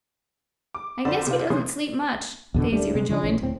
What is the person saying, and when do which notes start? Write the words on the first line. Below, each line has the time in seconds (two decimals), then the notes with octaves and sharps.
"I guess he doesn't sleep much," Daisy rejoined.
0.75 D6
1.05 F2 D3 D5 F#5 C6 E7
1.27 C3 F4
1.50 C3 E3 C#4 C6 D#6
2.54 E2 B2 D3
2.72 D1 G3 A3 D4
2.95 C3 G#3
3.09 C#3 F3 F#3 D4
3.23 A#1 E3 C#4
3.42 D1 A2 C4